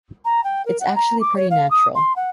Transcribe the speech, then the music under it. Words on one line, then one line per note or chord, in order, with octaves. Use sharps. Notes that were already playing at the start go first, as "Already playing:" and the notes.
It's actually pretty natural.
A#5
G5
A#4
F#5
A#5
D6
C#5
F5
D#6
C6
F#5